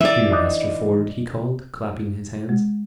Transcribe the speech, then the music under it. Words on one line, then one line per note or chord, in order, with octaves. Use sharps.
"Here, Master Ford," he called, clapping his hands.
E3 D5 E5
D4 D#4
G#3